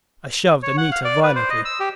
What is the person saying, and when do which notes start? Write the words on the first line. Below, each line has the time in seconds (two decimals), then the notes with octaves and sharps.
I shoved Anita violently.
0.63 C#5
0.77 F#5
0.92 F5
1.04 D5
1.23 B4
1.36 C5
1.50 D#5
1.65 E6
1.80 G4